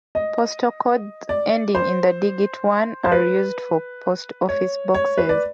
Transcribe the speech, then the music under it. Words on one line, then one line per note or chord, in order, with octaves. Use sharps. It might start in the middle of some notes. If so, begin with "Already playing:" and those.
Postal codes ending in the digit one are used for post office boxes.
D#5
D5
C5
C5
B4
C#5
C#5
B4
D5